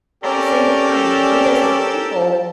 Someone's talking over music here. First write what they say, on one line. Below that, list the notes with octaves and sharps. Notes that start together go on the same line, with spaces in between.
at the same time, we as a people
C#4 G4 A4 A#4 D5